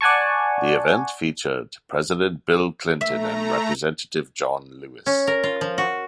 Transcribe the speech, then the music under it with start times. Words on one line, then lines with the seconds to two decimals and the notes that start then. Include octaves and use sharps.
The event featured President Bill Clinton and Representative John Lewis.
0.01 D5 F#5 G#5 A5 C#6
3.01 A3 E5 A#5
5.06 C#4
5.27 A#4
5.43 F4
5.61 F3
5.78 F#4